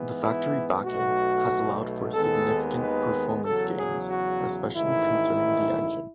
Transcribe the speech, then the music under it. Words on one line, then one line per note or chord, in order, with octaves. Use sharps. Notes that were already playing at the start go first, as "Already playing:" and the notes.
The factory backing has allowed for significant performance gains, especially concerning the engine.
Already playing: G#2 E3 B3
E4
B1 B2 A3 F#4
D#2 D#3 G#3 B3 A4
B4
E2 C#3 F#3 A4
G#4
F#4
A1 G#2 D#3 E4